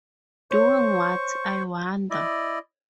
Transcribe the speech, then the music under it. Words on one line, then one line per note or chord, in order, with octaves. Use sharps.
Doing what, I wonder.
C5 C#5 C#6
E4 D5 D#5